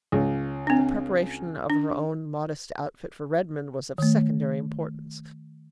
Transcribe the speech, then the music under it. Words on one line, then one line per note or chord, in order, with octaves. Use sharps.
The preparation of her own modest outfit for Redmond was of secondary importance.
C#2
C4 D4
D4
D#3 A3